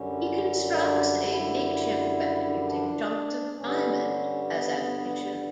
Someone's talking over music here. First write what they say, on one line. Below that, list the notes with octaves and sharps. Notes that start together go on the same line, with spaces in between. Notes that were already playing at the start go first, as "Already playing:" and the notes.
He constructs a makeshift weapon, using chunks of diamond as ammunition.
Already playing: F#2 D3 G3 C#4
C#4
D4
E4
D4
G2 D3 G3 C#4
B3
G3